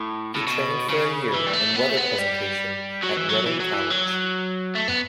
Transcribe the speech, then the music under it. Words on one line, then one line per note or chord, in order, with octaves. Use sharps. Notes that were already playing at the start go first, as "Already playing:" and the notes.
He trained for a year in weather presentation at Reading College.
Already playing: A2
A2
B2
C#3
E3
G3
A3
B3
A3
B3
G3
F#3
E3
F#3
E3
F#3
E3
F#3
A3
B3